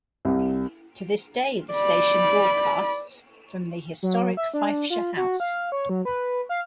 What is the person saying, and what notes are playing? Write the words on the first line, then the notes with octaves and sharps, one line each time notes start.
To this day the station broadcasts from the historic Fifeshire House.
C2
D5 B5
F#3
E5
D4
F4
F#4
F5
C#5
F#3
B4
F5